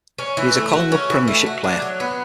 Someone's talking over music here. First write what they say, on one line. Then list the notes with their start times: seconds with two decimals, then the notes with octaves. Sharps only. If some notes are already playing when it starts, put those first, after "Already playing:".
He is a Collingwood Premiership player.
0.18 C#4
0.37 E3
0.55 A3
0.73 F#4
0.92 C#4
1.10 E3
1.28 A3
1.46 F#4
1.64 D4
1.82 F#3
2.00 B3